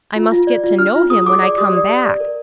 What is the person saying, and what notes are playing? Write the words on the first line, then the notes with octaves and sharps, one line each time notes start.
I must get to know him when I come back.
F4
F4
D5
F4
D4 F6
F4
G#4 D#6
G#4 D6
D5 D6
G4 D#6
D5
G4
D5
A#4